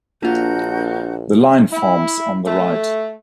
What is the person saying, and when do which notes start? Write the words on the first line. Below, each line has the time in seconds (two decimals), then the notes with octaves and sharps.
The line forms on the right.
0.23 A#1 A#3 D4 F4 F#4 A#4 G6
1.72 E4
2.45 A3